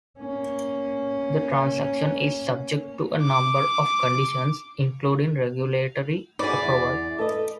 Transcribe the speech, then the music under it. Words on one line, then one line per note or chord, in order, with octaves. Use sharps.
The transaction is subject to a number of conditions, including regulatory approval.
A#3 C#4
D6
D#4 F#4 G#4 D5 B5
E2
A4 B4 D#5